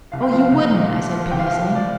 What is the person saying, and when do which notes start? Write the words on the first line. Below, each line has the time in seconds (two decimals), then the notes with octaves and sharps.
"Oh, you wouldn't," I said piteously.
0.12 C2 F5
0.22 G5
0.32 F3 F5
0.52 C2
0.72 A#2
0.92 C2
1.11 F3
1.31 C2 G5
1.39 F5
1.46 G5
1.51 F3
1.61 F5
1.71 C2 D5